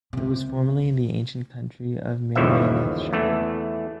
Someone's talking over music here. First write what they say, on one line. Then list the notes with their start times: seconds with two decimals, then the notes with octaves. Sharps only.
It was formerly in the ancient county of Merionethshire.
0.13 C#2 C3
2.35 G1 D#2 C#3 E3 F3 E5
3.13 E2 E3 A3